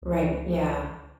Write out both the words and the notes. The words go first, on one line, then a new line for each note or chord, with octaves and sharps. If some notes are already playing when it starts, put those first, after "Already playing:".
Right, yeah.
C#2